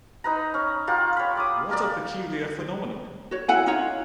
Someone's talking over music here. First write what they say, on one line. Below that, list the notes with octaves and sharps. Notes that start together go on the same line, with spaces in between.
What a peculiar phenomenon.
D#4 B4 A#5
C#4
F4 G4 A#4 F#5
C#5 B5
D6 D#6
A#4 D5
F#4 C#5
E4 F#5 G#5
D#4 F4 C#5